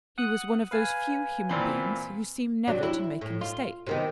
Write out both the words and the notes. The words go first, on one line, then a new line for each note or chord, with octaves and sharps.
He was one of those few human beings who seem never to make a mistake.
F#5 D#6 F#6
B4 F5 G#5
A#2 E3 C4
C3 F#3 D4
E4
A2
F4
C3 D#3 B3